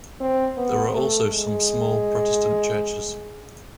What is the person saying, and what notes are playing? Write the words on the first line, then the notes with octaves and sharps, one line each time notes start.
There are also some small Protestant Churches.
C4
B3
A3
G#3